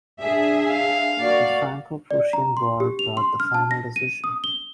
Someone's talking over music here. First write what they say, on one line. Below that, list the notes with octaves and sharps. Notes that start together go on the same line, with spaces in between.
The Franco-Prussian War brought the final decision.
D4 G#4 E5
F5
A#3 F#4 D5
D5
A#5
C6
G4
F7
C6
F6
A5
A#6
D#7
D#6
G7